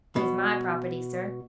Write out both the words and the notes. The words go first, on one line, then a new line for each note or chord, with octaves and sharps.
"He's my property, sir."
B2